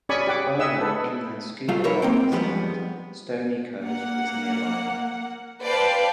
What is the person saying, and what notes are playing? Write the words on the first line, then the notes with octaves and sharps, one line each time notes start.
The well-known inland scuba diving site Stoney Cove is nearby.
C#4 G#4 D5 G#5 B5 C#6
G4 F#5 D6
G#4 D#5 E5 F#5 E6
A4 B4
B1 F#3 G3 A3 F4 F5
D#4 G#4 A#4 B4 C#5 E5
A#3 C4 G5
F2 F3 G3 G#3 B3
A#3 F#5
B4 C5 D5 F5 G5 A5